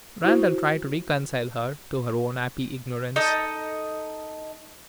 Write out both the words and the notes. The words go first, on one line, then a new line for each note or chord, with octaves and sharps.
Randal tried to reconcile her to her own happy ignorance.
E4 F#4 C5
D#4 A4 D#5